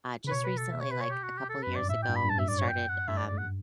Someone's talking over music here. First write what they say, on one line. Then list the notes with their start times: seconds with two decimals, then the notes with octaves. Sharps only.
uh, just recently, like a couple years ago, we started, um
0.24 C#3
0.28 B4
0.31 B2 C#5
0.44 B4
0.57 A4
0.70 E5
0.80 C#5
0.91 B4
1.01 C#5
1.10 G4
1.23 F#4
1.37 G4
1.49 A4
1.63 F#2 B4
1.76 G2 D5
1.89 A2 E5
2.03 G5
2.09 G2
2.16 B5
2.25 G2
2.28 F#2 A5
2.39 E5
2.49 D5
2.59 C#5
2.69 G5
2.89 F#5
3.08 G2 E5
3.17 D5
3.28 D5
3.38 F#5